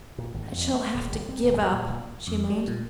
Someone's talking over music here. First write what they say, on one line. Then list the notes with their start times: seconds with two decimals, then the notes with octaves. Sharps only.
"I shall have to give up!" she moaned.
0.18 A#2
0.34 G#1
0.52 F2
0.73 A3
0.94 D#1
1.13 G1
1.29 C4
1.43 D1
1.57 E2
1.72 A#2
1.90 A#2
2.27 F2
2.50 G3
2.68 A#2